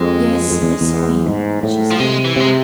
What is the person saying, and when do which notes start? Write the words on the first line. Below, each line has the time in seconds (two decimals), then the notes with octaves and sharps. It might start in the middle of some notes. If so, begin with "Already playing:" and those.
"Yes, I saw him," she said.
Already playing: F2 G#3
0.51 F2
0.62 E2
0.81 E2
1.26 G#2
1.63 A2
1.91 F3
2.00 C3 G#3
2.24 E3
2.36 C3 G#3